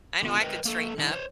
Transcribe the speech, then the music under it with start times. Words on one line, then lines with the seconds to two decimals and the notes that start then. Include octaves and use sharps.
I know I could straighten up.
0.22 D3 B3 F4
0.41 A#4 B4 D#5 G5
0.65 A#3 A4
0.98 D#3 C#4 D#4 E4
1.11 C5 C#5